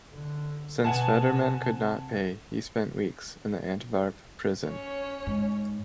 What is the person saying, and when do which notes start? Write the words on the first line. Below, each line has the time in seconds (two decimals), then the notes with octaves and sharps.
Since Federmann could not pay, he spent weeks in an Antwerp prison.
0.12 D3
0.84 B2 F#5 G#5 A5
1.53 C3
4.67 C#4 C#5
5.27 G#2